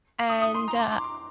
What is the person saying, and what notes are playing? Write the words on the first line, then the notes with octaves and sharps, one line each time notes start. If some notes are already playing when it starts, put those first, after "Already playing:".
and, uh
D#6
D#6
C6
A#5
C6
D6
D6
D6